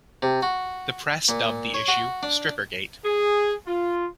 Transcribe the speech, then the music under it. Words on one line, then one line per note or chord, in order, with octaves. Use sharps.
The press dubbed the issue "Strippergate".
C3
F#4
A#2
C#5
F#4
D4
G#4
F4